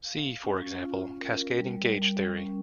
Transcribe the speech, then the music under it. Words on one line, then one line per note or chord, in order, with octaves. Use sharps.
See, for example, cascading gauge theory.
F5
C#4
F4
A#4
G3
G3
C#4